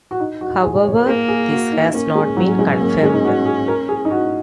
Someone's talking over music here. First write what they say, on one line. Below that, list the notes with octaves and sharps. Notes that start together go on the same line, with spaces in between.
However, this has not been confirmed.
F#4
D#4
F#4
G#4
C#5
A#4
A#3 G#4
G#4
F#4
D#4
A#3 C#4
G#3
F#3
G#3
A#3
G#3
D#4
F#4
G#4
A#4
G#4
D#4
F#4